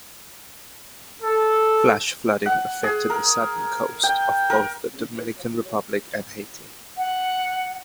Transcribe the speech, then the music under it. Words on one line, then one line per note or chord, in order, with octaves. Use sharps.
Flash flooding affected the southern coasts of both the Dominican Republic and Haiti.
A4
F#5
G#4
A#4
G5
A#4
F#5